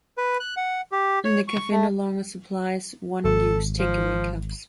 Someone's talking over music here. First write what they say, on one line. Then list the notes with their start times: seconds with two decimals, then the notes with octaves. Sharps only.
The cafe no longer supplies one-use takeaway cups.
0.18 B4
0.40 F#6
0.57 F#5
0.92 G4
1.25 C#5
1.48 C#6
1.71 A3
3.24 G#1 A4
3.78 F3